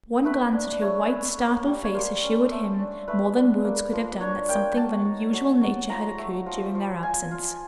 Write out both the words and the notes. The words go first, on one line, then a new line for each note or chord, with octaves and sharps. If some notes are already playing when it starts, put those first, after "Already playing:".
One glance at her white, startled face assured him more than words could have done that something of an unusual nature had occurred during their absence.
A3 B4
D4
A3 C#5
A3
A#3
G3
C#5
A#3 C5
C#4
A3
D4
A3 B4
D4
A#3
F3
D4 C#5
A#3 G5
F#3 A5
D#4
F#3
F#3
F3 A#5
A3
F3
F3
F4 G#5
F4